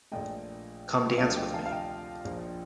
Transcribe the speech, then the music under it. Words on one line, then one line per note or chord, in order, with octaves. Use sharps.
Come Dance with Me!
A#1 A#2 A3 D#5 G5
D2 C3 F3 A3 D5 F5
D#5 G5
F5 A5
F5
D#5 G5
A#1 A#2 F3